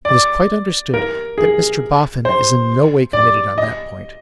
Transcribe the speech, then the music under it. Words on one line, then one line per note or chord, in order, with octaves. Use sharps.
It is quite understood that Mr Boffin is in no way committed on that point.
D5
A#4
G#4
C5
D5
D#5